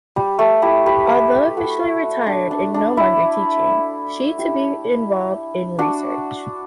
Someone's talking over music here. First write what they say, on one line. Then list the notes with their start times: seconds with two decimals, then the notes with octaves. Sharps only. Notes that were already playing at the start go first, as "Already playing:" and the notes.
Although officially retired and no longer teaching, she to be involved in research.
0.16 G3
0.39 A3
0.62 E4 G4
0.86 G4 B4
1.57 F#4 A4
2.26 D4
2.51 D4
2.74 D4
2.97 E4
4.38 E4 G4
5.79 D4 F#4